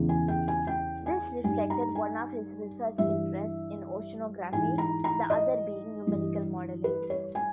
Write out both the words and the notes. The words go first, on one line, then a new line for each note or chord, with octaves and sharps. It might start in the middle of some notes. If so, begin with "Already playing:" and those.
This reflected one of his research interests in oceanography, the other being numerical modelling.
Already playing: E2 C#3 E3
G#5
G5
G#5
G5
G#5
G2 D#3 G#5
A#5
G#5
G2 E3 E5
G#2 E3 G#5
A#5
A#5
D#5
G2 E3
B4
C#5
G#5